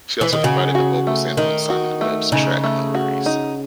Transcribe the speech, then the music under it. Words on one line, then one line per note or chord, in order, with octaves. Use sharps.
She also provided the vocal sample in Simon Webbe's track, No Worries.
E3
D#3
C#3 F#4
F#4
A3
D#3 D#4
F#4
A3
C#3 D#4
A3
F#4
D#4